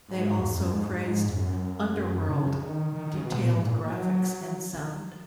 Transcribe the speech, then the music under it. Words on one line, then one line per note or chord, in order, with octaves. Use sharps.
They also praised "Underwurlde" detailed graphics and sound.
G#2
E2
F#2
G#2
E2
F#2
C#3
D#3
D#3
D#3
C#3
B2
A#2
G#2
A#2
F#3